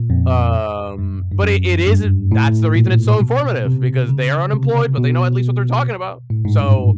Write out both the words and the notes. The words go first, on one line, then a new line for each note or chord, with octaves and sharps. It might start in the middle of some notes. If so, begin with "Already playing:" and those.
Um, but it it isn't That's the reason it's so informative, because, they are unemployed, but they know at least what they're talking about. So,
Already playing: A#2
F2
F#2
G2
F#2
G2
A2
A#2
B2
C3
C#3
C3
B2
A2
G#2
G2